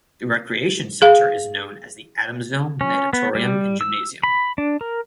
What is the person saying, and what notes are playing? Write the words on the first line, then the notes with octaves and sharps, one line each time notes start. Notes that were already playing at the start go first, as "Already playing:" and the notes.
The recreation center is known as the Adamsville Natatorium and Gymnasium.
G#4 F5
C#4
B3
G3
E6
B5
D4
A#4